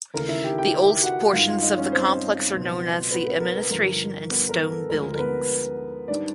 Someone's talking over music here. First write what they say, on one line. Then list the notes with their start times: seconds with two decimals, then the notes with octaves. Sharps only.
The oldest portions of the complex are known as the Administration and Stone Buildings.
0.14 D#2 C#3 E3 A3 A#4
0.29 E4 E5
0.44 G4 G5
0.58 G4 G5
0.74 G4 G5
1.03 F#4 F#5
1.33 G2 D#3 G#3 F4 F5
1.48 F4 F5
1.62 D#4 D#5
1.77 C#4 C#5
1.92 C4 C5
2.52 C#2 B2 F#3
3.11 B3 B4
3.26 B3 B4
3.40 A#4
3.56 A#4
3.71 G2 D3 F3 A#4
4.30 B3 B4
4.49 A#4
4.69 A4
4.89 D2 D3 F3 G#3 A#4
5.14 A#4
5.18 B3 B4
6.08 G#2 D#3 G3 D4 D5